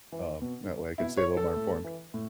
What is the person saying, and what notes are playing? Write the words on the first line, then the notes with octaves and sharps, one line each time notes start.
Um, that way, I could stay a little more informed.
E3
B2
B2 E4
C#5
A4
A2
E3
A2